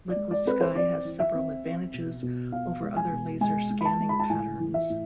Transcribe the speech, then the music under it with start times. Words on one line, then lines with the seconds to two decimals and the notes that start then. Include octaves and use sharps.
Liquid sky has several advantages over other laser scanning patterns.
0.08 D5
0.16 G#3
0.31 D5
0.46 C4 B4
0.61 C5
0.75 C4 D5
1.05 E3
1.20 E5
1.34 C4
1.64 C4
1.93 B2
2.22 B2
2.52 B2 F5
2.82 G#3
2.97 G#5
3.12 B2
3.41 G#3 G#5
3.71 G#3
3.81 B5
3.85 A5
4.00 G#3
4.09 B5
4.20 A5
4.29 A2 G#5
4.60 E3
4.74 E5
4.90 A2